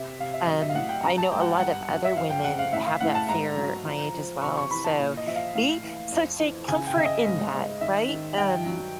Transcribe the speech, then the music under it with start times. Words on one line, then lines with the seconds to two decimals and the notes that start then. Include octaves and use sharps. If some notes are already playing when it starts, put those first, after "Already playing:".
um, I know a lot of other women have that fear at my age as well. So, be so take comfort in that. Right? Um,
Already playing: C3 E5
0.19 C3 F5
0.34 E5
0.47 F#3 D#5
0.61 E5
0.69 F5
0.75 A2 F#5
0.89 G5
1.03 F#3 A#5
1.18 A5
1.31 G#2 G5
1.41 F#5
1.46 G5
1.60 G2 F#5
1.89 F#3
2.04 E5
2.16 F2 F5
2.30 G5
2.44 C#3 F#5
2.59 F5
2.73 A2 E5
2.86 F5
3.00 A2 F#5
3.15 A5
3.29 G#2 A#5
3.57 F#3
3.86 F3
4.14 F3
4.42 C3 C#6
4.57 C#6
4.71 E3 B5
4.84 A5
4.99 A#2
5.17 D#5
5.27 F3 E5
5.36 F5
5.55 A2 F5
5.83 E3
6.12 F2
6.40 E3
6.68 C#3 G#5
6.87 G5
6.96 C#3 E5
7.05 D#5
7.24 G#2
7.53 G#2
7.81 D#3 E5
8.09 D#3
8.38 G2 G5
8.66 F#3